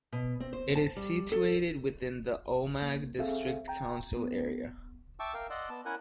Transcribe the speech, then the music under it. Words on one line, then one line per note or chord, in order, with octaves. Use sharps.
It is situated within the Omagh District Council area.
B2
C4
C5
A5
G3
A4
A#3
C4 G#4 A4 E5 F5
G5 A#5
B3
E5 G5 A5 C#6 D6 E6
A#4 F5 G5
D5 D#5 F#5 C6 E6
B3 A5
C#4 E4 A#4 F#5 G#5 F#6